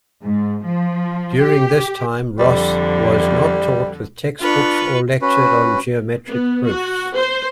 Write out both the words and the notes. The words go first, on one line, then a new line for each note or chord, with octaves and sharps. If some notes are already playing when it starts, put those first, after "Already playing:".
During this time, Ross was not taught with textbooks or lectured on geometric proofs.
G#2
F3
G4
F2 D3 G3
D4 F4 B4 C#6
C#4 F#4 B4
B3
F#4
C5